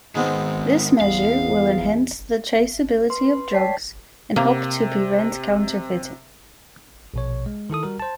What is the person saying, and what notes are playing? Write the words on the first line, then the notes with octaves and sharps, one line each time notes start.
This measure will enhance the traceability of drugs and help to prevent counterfeiting.
G#2 D#3 G#3 B3 C4
E2 F5
B4 C6
C#5 D5 G5 A5 B6 C7
C3 A#3
A#1 B2 C#5
G#3
D#3 E4 A4 D#6
G3 F#4 A#4
C5 A5